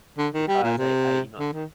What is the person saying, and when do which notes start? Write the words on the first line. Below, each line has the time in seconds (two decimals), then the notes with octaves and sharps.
because I I you know,
0.18 D3
0.34 D#3
0.48 G3
0.63 A#2
0.78 C3
1.39 D3
1.54 D#3